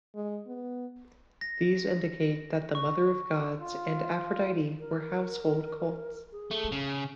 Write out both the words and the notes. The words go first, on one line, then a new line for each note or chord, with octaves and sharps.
These indicate that the Mother of Gods and Aphrodite were household cults.
G#3
B3
A#6
C#6
F4
A#4
G#4
A3
C#3